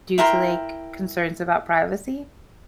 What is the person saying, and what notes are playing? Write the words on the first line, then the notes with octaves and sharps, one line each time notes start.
due to, like, concerns about privacy?
E4 A#4 G5 C6